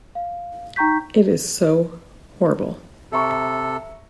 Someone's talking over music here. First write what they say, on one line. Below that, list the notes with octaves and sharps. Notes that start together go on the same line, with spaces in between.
It is so horrible.
F5
D#4 G5 A#5 C#6 G6 B6
C3 A4 E5 A#5 C#6